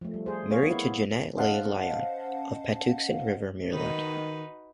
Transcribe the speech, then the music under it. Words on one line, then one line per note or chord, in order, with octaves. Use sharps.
Married to Janet Leigh Lyon of Patuxent River, Maryland.
F3 A3
G3
G#4 C5
B3 G#4 C#5 F5
A#3 B3 E4
C#4 C5 D#5 F5 F#5 A5
D#3 D#4 F#4 B4